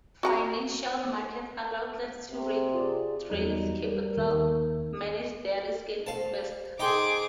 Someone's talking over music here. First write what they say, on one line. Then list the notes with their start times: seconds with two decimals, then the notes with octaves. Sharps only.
Financial markets allow clients to raise capital, manage their risks and invest.
0.23 F#4 F#5 A#5
2.31 C3
2.74 F4 G#4 D5
3.30 E2 F#3 G3 D#4
3.86 G3 A#4
4.17 D#2 D#3
6.07 C5 F5 A5
6.80 D#4 G#4 G5 C6 D6